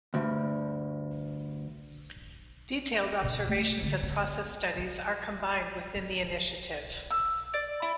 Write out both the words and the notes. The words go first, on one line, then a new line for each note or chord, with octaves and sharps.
Detailed observations and process studies are combined within the initiative.
D2 G2
B2 D4
A3
D3 G3
B3
E6
D5
E4